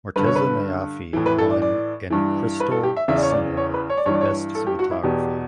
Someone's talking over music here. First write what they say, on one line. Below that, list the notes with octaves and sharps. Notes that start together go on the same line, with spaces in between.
Morteza Najafi won an Crystal Simorgh for Best Cinematography.
G2 D3 B4
C#5
B4
A2 E3
B4
A4
D5
D5
G2 E3
B4
A4
G4
E5
E2 C#3 E3 E5
D5
C#5
D5
C#5
B4
C#5
D5
G2 E3 C#5
D5
C#5
A4
G4
F#4
E4
E2 B2 G4